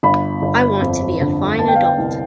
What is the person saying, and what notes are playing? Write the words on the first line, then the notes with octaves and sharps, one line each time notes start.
I want to be a fine adult.
G1 B5
G1
F2
D3
B3 A5
G5
F5
G5
C2